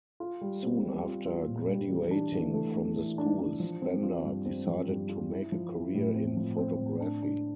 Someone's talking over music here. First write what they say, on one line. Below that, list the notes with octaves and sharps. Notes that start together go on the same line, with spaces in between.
Soon after graduating from the school Spender decided to make a career in photography.
F4
G3
C4
G3
F4
F4
A#2
G3
E3
D4
E3
A3
A3
E3
D4
D4
F3
C4
F4
G2
C4
F3
G2
F4
E4
F3
E4
A2
C4
F3
C4
A2
D4
D4